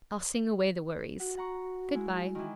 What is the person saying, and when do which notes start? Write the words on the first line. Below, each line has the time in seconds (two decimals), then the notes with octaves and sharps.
I'll sing away the worries, Good-bye.'
1.20 F#4 F#5
1.37 F#5 A#5 C#6
1.95 G#3 E4
2.35 D#3 E3